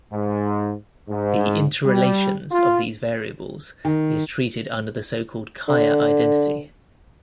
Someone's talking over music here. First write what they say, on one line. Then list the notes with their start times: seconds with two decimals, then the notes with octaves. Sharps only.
The interrelations of these variables is treated under the so-called Kaya identity.
0.13 G#2
1.08 G#2
1.86 G3
2.51 F4
3.85 D#3
5.68 D3